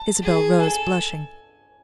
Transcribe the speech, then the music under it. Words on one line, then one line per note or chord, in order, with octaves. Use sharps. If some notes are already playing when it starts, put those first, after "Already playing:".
Isabel rose, blushing.
Already playing: A5
G#4
A4 G#5